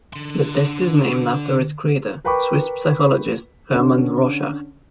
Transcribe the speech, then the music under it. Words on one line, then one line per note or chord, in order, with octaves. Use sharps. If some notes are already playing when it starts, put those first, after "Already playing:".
The test is named after its creator, Swiss psychologist Hermann Rorschach.
D3 C6
A#4 B4 G5 B5 C#6 D6
D3 C#4